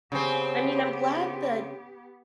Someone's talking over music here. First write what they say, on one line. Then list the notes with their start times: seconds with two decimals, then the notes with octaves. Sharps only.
I mean, I'm glad that
0.12 C#3 B3 C4 G4